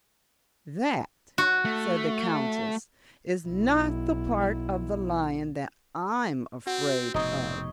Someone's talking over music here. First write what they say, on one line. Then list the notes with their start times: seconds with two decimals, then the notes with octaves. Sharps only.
"That," said the Countess, "is not the part of the lion that I'm afraid of."
1.38 F#4
1.65 A3
3.47 B1 E4
6.67 C4 F#4
7.14 F1 G#2 B2 C4 D#4 C#5 D#5